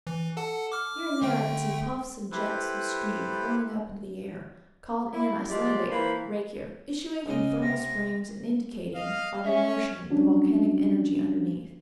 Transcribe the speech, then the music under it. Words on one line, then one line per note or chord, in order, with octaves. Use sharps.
Here and there I could see puffs and jets of steam curling up into the air, called in Icelandic 'reykir,' issuing from thermal springs, and indicating by their motion the volcanic energy underneath.
E3
A4 F#5 A5
D6 F6
D3 A3 G5
E4 G4 A4 B4 C5
E4
F3 G#3 G4 D5 C6
E3 A#3 C5 B5
C#2 C#3 D#5
C3 A#6
D#5 F5
C#4 E5
F#3 G3 C#4 D4 F#4